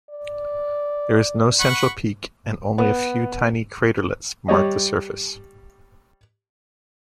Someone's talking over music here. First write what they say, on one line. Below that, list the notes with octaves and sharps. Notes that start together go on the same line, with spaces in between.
There is no central peak, and only a few tiny craterlets mark the surface.
D5
F#5 B5 C#6
B3
G3 C#5 D#5